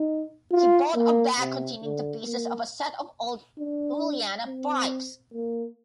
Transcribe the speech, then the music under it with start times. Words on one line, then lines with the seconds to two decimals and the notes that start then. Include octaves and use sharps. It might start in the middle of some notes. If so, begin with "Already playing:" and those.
He bought a bag containing the pieces of a set of old uilleann pipes.
Already playing: D#4
0.52 F4
0.96 A#3
1.39 C3
1.83 D3
2.26 A#3
3.59 D4
4.47 C4
5.34 A#3